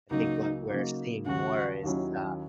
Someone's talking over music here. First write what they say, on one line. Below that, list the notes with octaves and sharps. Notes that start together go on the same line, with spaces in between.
I think what we're seeing more is, uh
C#2 C#3 F#3 A#3 D#4
C#3 F#3 A#3 D#4
D#2 C#3 F#3 C#4 F#4
D#2 D#3 F#3 C#4 E4